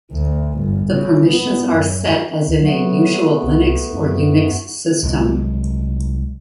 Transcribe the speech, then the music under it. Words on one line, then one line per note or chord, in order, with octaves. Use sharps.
The permissions are set as in a usual Linux or Unix system.
D2
G1
C#3
B3
F#2
D2
F#3 A3 B3
C2
F#2
C2 F#3 G#3